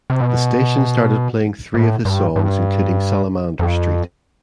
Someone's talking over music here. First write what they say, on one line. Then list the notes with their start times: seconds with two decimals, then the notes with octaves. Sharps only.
The station started playing three of his songs including Salamander Street.
0.10 C3
0.20 B2
1.74 A2
2.05 G2
2.36 G2
3.59 F2